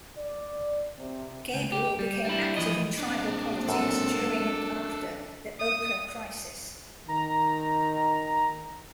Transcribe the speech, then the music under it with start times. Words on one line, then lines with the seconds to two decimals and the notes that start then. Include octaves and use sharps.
Gabriel became active in tribal politics during and after the Oka crisis.
0.17 D5
0.99 C3
1.54 C#2
1.72 G4
1.99 G3
2.25 G3 D4 E4
2.56 E3 F3 D#5
2.99 A#2 G#3 C4 D4 D#4
3.68 F#2 A4
5.59 D#6
7.08 D#3 A#5